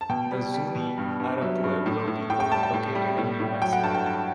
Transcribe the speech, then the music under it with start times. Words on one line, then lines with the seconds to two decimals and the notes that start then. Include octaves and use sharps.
The Zuni are a Pueblo people located in New Mexico.
0.01 A5
0.09 B2 G5
0.31 G3
0.54 G3
0.76 B2
0.98 G2
1.20 G2
1.41 F#3 E5
1.64 G2
1.86 A2
2.07 A2
2.30 A2 G5
2.40 G5
2.52 G3 A5
2.63 G5
2.73 A2
2.95 G3
3.18 A2
3.40 A2
3.61 F#3 G5
3.73 F#5
3.83 G2 A5
3.95 G5
4.06 G2 A5